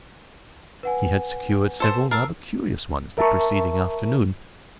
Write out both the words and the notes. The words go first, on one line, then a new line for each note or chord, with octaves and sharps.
He had secured several rather curious ones the preceding afternoon.
B4 F#5 G#5
A4 C5 A5
A#4 A5 E6 F6 C7
A#4 E5 A5 A#5 C#6